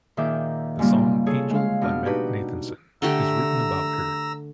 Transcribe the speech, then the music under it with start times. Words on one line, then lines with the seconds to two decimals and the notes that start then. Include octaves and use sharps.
The song "Angel" by Matt Nathanson is written about her.
0.17 A#2 D#3 G#4 E5 D6 G6
0.79 G#2 C#3 G3 A#3 F4
1.26 G#4 A4 C#5
1.51 G#3 F5
1.81 B2 D4 F6
2.05 D4 D#4 F#4 G4 B4
3.02 D3 A3 G4 A#5 E6